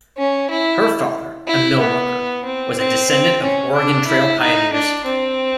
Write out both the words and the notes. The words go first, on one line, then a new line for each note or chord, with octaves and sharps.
Her father, a millworker, was a descendant of Oregon Trail pioneers.
C#4
E4
E4
B3
C4
C4
C4
C#4
D4
E4
D#4
D4
C4